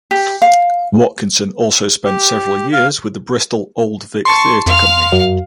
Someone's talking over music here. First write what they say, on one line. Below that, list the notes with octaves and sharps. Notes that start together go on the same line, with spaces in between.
Watkinson also spent several years with the Bristol Old Vic Theatre company.
G4
F5
G4
F5
A5 C6 C#6
F2 F5 F6
F#2